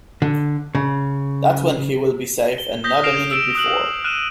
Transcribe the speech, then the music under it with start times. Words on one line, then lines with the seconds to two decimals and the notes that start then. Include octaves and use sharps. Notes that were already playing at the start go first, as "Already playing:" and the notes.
That's when he'll be safe and not a minute before.
0.22 D3
0.75 C#3
2.58 G7
2.84 D#6 G6 A#6 B6 G7
3.03 F6 A#6 C7 D7 E7 F7
3.31 E6 D7 E7
3.55 D#6 F#6 F#7
4.04 F6 F#6 D#7 E7